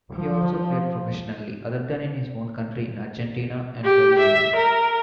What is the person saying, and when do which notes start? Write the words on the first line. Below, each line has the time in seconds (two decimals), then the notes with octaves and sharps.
He also played professionally, other than in his own country, in Argentina and Belgium.
0.16 F3
3.84 G4
4.20 E5
4.56 A#4